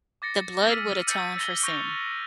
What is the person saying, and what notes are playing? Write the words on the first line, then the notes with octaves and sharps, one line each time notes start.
the blood would atone for sin,
D6 A6 A#6 C#7
E6 F6 A#6 B6 D#7
E6 G6 A6 A#6 C#7 D#7
E6 A6 A#6 G7
C#6 G6 A#6 F7